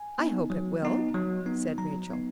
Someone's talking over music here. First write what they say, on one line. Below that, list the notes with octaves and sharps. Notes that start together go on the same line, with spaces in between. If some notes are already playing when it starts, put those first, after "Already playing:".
"I hope it will," said Rachel.
Already playing: G#5
B3 D#4
F#3
B3 D#4
F#3
B3 D#4
F#3 A#5
B3 D#4